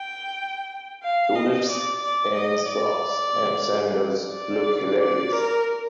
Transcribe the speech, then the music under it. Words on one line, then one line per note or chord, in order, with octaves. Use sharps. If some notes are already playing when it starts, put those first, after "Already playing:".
Tourists in socks and sandals look hilarious.
Already playing: G5
F5
D#5
D5
D5
D#5
D5
D5
D5
A#4